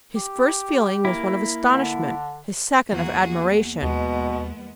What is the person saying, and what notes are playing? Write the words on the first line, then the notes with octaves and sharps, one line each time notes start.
His first feeling was one of astonishment, his second of admiration.
G4
A#3 E4
D3
E2 A#3 F#4 G#4 A#5
D#2 B2 G#3 B3